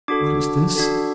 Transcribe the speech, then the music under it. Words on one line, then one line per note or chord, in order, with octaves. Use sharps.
"What is this?"
D4 F#4 A4 D6
D4 F#4 A4